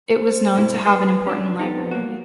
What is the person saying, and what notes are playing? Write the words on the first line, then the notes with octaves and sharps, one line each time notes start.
It was known to have an important library.
C5
G2 B2 E4
B4 C5
C#4 D4
B3 D#4 G4 A4
A#3 F#4